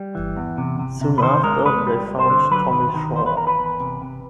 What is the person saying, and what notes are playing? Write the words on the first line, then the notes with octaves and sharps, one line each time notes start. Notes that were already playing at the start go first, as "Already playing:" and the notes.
Soon after, they found Tommy Shaw.
Already playing: G3
E3
E2
C3
C3
C3
B4
D#3 C5
G#3 A#4
G#3 B4
G3
G3
C5
D3
F#3 B4
D#3
D#3
E2 C5
B4
E2 A#4
B4
E2
C3
C3